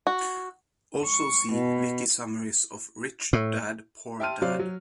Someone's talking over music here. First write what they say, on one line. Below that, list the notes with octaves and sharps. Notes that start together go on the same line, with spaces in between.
Also see WikiSummaries of Rich Dad Poor Dad.
F#4
C#6
B2
A2
E5 G5 A5 C6 F6 D#7
C3 F#3 C5 D5 F5
F#3